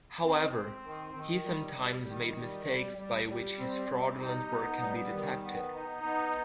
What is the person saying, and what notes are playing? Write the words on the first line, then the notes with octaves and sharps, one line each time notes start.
However, he sometimes made mistakes by which his fraudulent work can be detected.
C4
C4
D#3
D#3
G3
G3
D#3
G3
G3
G3
G3
C4
G3
D#4
B3
G3
D#3
B3
D#4
B3